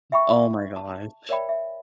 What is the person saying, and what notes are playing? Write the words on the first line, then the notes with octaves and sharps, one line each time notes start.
Oh my gosh.
E5 G5 B5 C#6
A5
A#4 C#5 D5 E5 G5 B5
E5